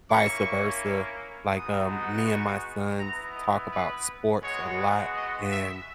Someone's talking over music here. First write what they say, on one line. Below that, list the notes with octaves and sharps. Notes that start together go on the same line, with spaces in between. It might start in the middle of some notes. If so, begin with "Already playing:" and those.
vice-versa, like, um, me and my sons talk about sports a lot, and
A#3 C#4 E4 C#6
G#3 B3 D#4 F#4 D#6
C#6
B3 E4 A#5
D#5
B4
G#3 B3 F#4 C#5
D#5
E5